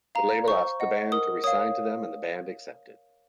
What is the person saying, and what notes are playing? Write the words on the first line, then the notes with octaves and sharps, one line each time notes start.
The label asked the band to re-sign to them and the band accepted.
F5 A#5
C5 C#6
D#5 F#5
A#4 D#6
C#5 F5 D#6